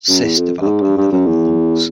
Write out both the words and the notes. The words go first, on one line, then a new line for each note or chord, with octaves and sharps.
Cysts develop in liver and lungs.
F#2
E2
F2
G2
G#2
G2
G2
F#2
E2